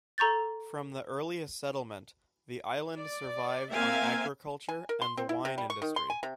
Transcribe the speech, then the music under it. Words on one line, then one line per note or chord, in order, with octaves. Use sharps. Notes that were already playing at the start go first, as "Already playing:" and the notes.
From the earliest settlement, the island survived on agriculture and the wine industry.
A4 A#5 C#6 G6 A6
D5
A#3 C4 A#4 E5 F5 G#5
G#5
A#4
C6
C4
E4
C3
G3
C#6
D#3
C6
G#5
C3